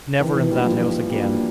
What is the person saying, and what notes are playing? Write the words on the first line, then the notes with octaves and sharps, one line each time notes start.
Never in that house again!
D#3 E3
E3
G3 A#3 D4 F#4
F3
D#3
G3 A#3 D4 F#4